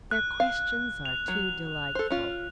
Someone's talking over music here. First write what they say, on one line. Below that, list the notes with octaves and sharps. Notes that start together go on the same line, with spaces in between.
Their questions are too delightful!
F#6
F5
F7
F#3
A4 C5
C#4 F4